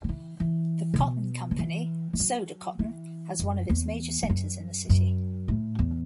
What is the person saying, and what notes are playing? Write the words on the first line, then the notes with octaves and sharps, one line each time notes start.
The cotton company Sodecoton has one of its major centres in the city.
D3
E3
E3
D3
B2
D3
E3
E3
F#3
E3
F#2
E2
E2
F#2
F#2
A2
E2